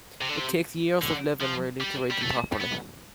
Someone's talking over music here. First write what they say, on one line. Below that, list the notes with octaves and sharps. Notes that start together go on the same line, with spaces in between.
It takes years of living, really, to read them properly.
C3
D3
C3
D3
F3
G3
G3
A3
B3